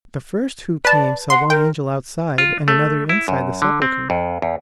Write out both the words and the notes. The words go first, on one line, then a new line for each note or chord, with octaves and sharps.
The first who came saw one angel outside and another inside the sepulchre.
B4 D5 A5
F#5 C6
A#4 G5
F4
A3
E4
F#2
D3
C4
F2
E2